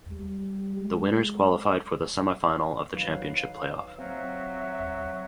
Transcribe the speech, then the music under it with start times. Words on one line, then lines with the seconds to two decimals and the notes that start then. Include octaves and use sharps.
The winners qualified for the semifinal of the championship playoff.
0.11 G3
0.76 G#3
2.94 F#3 D#4 B4 F5
3.99 F#3 C4 E5 F5